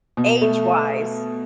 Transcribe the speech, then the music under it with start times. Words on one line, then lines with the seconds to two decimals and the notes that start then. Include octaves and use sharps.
age wise
0.17 B2
0.41 A3